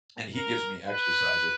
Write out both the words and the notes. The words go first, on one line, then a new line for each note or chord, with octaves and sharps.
And he gives me exercises.
A#4
B4